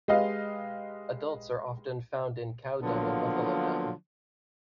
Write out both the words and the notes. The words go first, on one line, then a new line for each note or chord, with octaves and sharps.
Adults are often found in cow dung and buffalo dung.
G#3 G4 B4 D#5 F5
D3 F3 F#3 A#3 B3